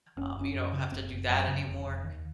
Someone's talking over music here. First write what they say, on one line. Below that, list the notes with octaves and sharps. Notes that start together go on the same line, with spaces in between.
um, you don't have to do that anymore.
F#1 C#4
F#1 C#4
F#2
C#3
F#1 C4
F#1
F#2
C#3
F1
F1
D#2